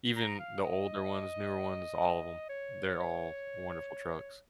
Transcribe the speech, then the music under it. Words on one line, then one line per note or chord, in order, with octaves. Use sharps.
Even the older ones, newer ones, all of 'em, they're all wonderful trucks.
A#5
F5
D#5
C#5